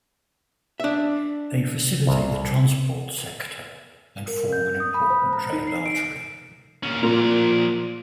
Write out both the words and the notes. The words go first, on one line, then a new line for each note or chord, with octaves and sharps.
They facilitate the transport sector and form an important trade artery.
D4 E5
C2
A#4
G6
D#6
B5
C5
A#5
D#4
C7
D7
A#2 C#4
A#2 F3 A#5